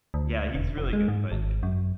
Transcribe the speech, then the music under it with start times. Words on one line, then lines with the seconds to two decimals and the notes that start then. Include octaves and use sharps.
Yeah, he's really good, but,
0.14 D2
0.55 E1
0.77 F1
0.93 G#3
1.08 G#2
1.32 G#1
1.63 F#2